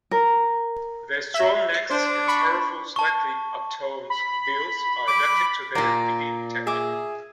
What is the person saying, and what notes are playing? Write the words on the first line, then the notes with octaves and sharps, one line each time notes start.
Their strong necks and powerful, slightly upturned bills are adapted to their feeding technique.
A#4
E5
D4 C5
B5 C#6
A5 C#6
B5
D6
A#2 A#3 D5 A#5
G#4 E5 D6